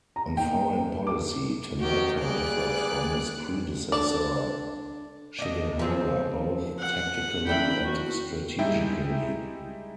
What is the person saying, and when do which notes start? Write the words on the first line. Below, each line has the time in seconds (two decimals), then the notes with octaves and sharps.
On foreign policy, Tanaka differed from his predecessor Shidehara both tactically and strategically.
0.16 A#5
0.37 A#3 D#4 G5
1.07 D6
1.80 D#3 F#4 G4
2.20 G3 A#3 G#4 D5 F#6
3.92 D4 A4 D5
5.39 D4 D#5
5.79 F3 C4 G#4
6.79 F#5
7.47 D#2 D4 E4 G5 B5
7.85 F#4
8.59 G3 G#3 D#4 E4 E5 G5